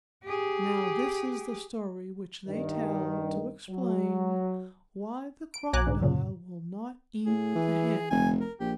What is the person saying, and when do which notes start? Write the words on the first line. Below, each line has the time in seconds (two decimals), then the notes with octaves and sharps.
Now this is the story which they tell to explain why the Crocodile will not eat the Hen.
0.24 G4 G#4
2.48 G2 D#3
3.69 F#3
5.54 D7
5.73 B1 F#3 G#5 A#5 D6 F#6
5.86 G#2 D3
6.01 F#2 A#2 C#3
7.26 A2 G#4
7.55 E3
8.11 F1 G#5
8.40 A#4
8.60 A#1 G4